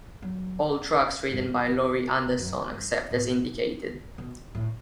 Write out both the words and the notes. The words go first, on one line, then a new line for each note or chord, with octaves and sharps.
All tracks written by Laurie Anderson except as indicated.
F#3
G2
E2
F#2
G2
A2
B2
A2